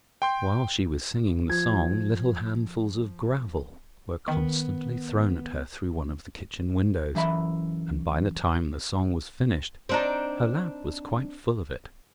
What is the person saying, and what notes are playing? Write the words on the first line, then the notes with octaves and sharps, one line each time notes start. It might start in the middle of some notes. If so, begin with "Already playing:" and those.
While she was singing the song little handfuls of gravel were constantly thrown at her through one of the kitchen windows, and by the time the song was finished her lap was quite full of it.
G5 C6 G6
F3 G#6
D#3 B3
F#2 E3 E5 B5
C4 D4 D#4